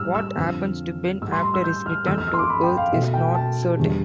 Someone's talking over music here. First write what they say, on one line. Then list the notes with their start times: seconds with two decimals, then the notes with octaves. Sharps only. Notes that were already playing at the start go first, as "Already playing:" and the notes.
What happens to Ben after his return to Earth is not certain.
Already playing: A2 G3 E6 F6
0.15 E6
0.36 F2 D3 F3
1.21 A2 G3 E6
1.32 C6
1.43 C6
1.54 E6
1.64 G6
1.86 F6
2.07 F2 E3 A3 E6
2.18 F6
2.28 E6
2.34 C6
2.39 D6
2.50 B5
2.63 G5
2.77 F5
2.92 B2 A3 E5
3.14 G5
3.35 A5
3.77 E2 D3 G3